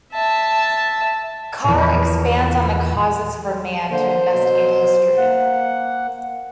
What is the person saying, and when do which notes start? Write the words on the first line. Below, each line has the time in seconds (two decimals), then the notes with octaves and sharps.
Carr expands on the causes for man to investigate history.
0.13 E5 A5
1.64 E2 A#2
3.90 D3 A#3 C5
4.31 B2 F#3
5.18 A#3 F#5